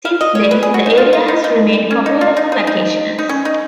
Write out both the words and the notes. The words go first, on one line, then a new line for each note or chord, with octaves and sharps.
Since then, the area has remained popular for vacationers.
F5
D#5
C#5
B4
G#4
F#4
D#4
F4
F4
D#4
D#4
C#4
D#4
F4
D#4
D#4
D#4
D#4
C#4
D#4